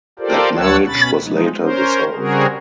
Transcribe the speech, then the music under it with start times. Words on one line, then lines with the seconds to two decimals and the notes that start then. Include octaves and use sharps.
That marriage was later dissolved.
0.19 F4 G4 A4 A#4 C5 D5
0.57 D2 F#3 C#5 F#5 A5 E6
0.87 B2 C#4 B5 A6
1.23 F3 G#3 D#4
1.60 C#4 A#4 C5
2.15 C#3 G3 C4 F#4 G#4 A#4